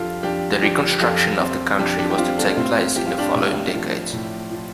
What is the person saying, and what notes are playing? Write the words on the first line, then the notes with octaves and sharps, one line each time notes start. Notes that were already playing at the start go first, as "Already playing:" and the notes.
The reconstruction of the country was to take place in the following decades.
Already playing: F2 F3 D4 F4 G4 A4
F2 D4 G4
F3 D4 G4
G4
F2 F4 A4
F3 C4 F4
F2 D4 G4
D4 G4
G4
F3 C4 F4
A3 D4
A2 C4 F4
F3 G4
F4
D4 G4
A2
F3
A2
F3